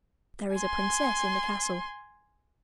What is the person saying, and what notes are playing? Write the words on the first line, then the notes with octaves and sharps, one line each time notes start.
'There is a princess in the castle.
G#5 C6